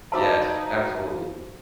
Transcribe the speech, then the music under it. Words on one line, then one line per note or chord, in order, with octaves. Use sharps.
yes, absolutely.
D#4 F#4 C5 D5 E5 F5 A5 B5